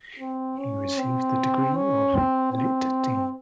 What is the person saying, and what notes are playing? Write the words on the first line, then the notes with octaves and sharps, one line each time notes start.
He received the degree of Litt.D.
C4
C#4
C4
C#4
C4
C4